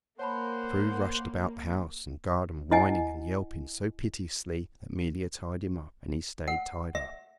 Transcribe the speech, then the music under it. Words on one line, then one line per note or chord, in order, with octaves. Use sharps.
But True rushed about the house and garden whining and yelping so piteously that 'Melia tied him up, and he stayed tied up.
A#3 C5 C#5 F#5 A5 B5
E4 D#5 F#5 G#5
F#5
E5